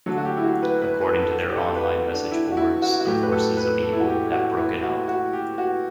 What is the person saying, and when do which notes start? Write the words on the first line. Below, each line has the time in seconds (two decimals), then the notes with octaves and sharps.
According to their online message boards, The Forces of Evil have broken up.
0.06 D3 F#3 A3 A4
0.18 F#4
0.25 G4
0.37 E4
0.44 F#4
0.63 B4
0.82 B4
1.01 B4
1.18 A4
1.49 G4
1.56 A4
1.75 B4
2.13 D4
2.31 E4
2.51 F#4
2.57 E4
2.82 F#4
3.00 F#4
3.07 A2 F#3 A3 G4
3.23 B4
3.32 A4
3.57 B4
3.82 A4
3.93 E4
4.00 F#4
4.07 G4
4.32 F#4
4.57 E4
4.82 F#4
5.08 F#4
5.33 G4
5.58 F#4